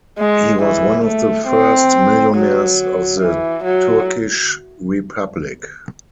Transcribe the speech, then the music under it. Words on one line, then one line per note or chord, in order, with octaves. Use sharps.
He was one of the first millionaires of the Turkish Republic.
G#3
E3
A3
C4
F#3
E3
F#3